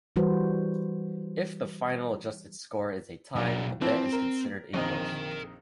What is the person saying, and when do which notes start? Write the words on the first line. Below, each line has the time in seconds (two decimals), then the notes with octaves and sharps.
If the final adjusted score is a tie, the bet is considered a push.
0.16 E3 G3 F#4 B4 C5
3.36 B1 B2 D4
3.81 E3 F3 C4 E4
4.12 A#4
4.74 A#1 F2 D#3 A#4 G5